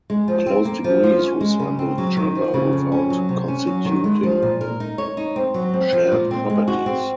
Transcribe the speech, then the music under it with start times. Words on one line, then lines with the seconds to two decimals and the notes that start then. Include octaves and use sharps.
Close degrees resemble each other without constituting shared properties.
0.10 G#3
0.28 F3
0.46 C4
0.65 A#3
0.84 F3
1.04 F4
1.23 C#4
1.41 G#3
1.60 C#3
1.79 C4
1.98 F#3
2.17 D#3
2.35 F3
2.54 C#3
2.73 F2
2.92 C#4
3.10 F#3
3.29 C3
3.48 C#4
3.67 F#3
3.85 D#3
4.04 G#3
4.23 F3
4.43 A#2
4.61 A#4
4.80 D#4
4.98 C#5
5.17 D#4
5.36 C4
5.54 F#3
5.74 C4
5.93 F3
6.12 A#2
6.31 C4
6.50 G#3
6.68 F#4
6.86 C4